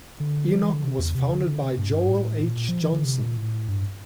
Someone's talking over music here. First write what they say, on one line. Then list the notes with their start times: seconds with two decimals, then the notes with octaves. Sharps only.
Enoch was founded by Joel H. Johnson.
0.20 D3
0.51 F3
0.62 E3
0.73 D3
0.84 C3
0.99 E2
1.15 C3
1.31 D3
1.47 D3
1.63 C3
1.78 G2
1.89 A2
1.94 G2
2.09 A2
2.42 A#2
2.69 F3
2.81 E3
2.93 D3
3.05 C3
3.20 A#2
3.37 A2
3.68 G2